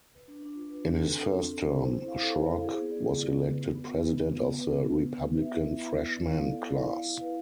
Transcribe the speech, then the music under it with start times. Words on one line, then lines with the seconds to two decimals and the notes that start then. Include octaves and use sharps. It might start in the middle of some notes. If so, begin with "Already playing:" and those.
In his first term, Schrock was elected president of the Republican freshman class.
0.15 B4
0.28 D4
0.43 D4
0.56 F4
0.70 B4
0.84 D4
0.98 A4
1.12 C4
1.25 C4
1.39 F4
1.53 A4
1.67 C4
1.81 C5
1.94 E4
2.08 F5
2.23 A4
2.37 C5
2.51 E4
2.64 G#4
2.78 B3
2.91 D5
3.05 F4
3.19 G#4
3.33 B3
3.48 B4
3.61 B3
3.75 B3
3.88 F4
4.02 B4
4.17 B3
4.31 F4
4.44 B3
4.58 B4
4.72 D4
4.86 F4
5.00 B3
5.13 B4
5.27 B3
5.41 E5
5.54 E4
5.69 B4
5.83 B3
5.97 D5
6.11 E4
6.24 F5
6.38 A4
6.52 D5
6.66 E4
6.79 F5
6.94 E4
7.07 E4
7.21 B4